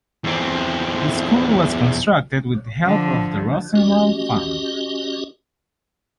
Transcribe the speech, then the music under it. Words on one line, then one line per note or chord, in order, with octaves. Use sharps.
This school was constructed with help of the Rosenwald Fund.
E2 C4
D3 F3
C#4 F#4 G4 D#5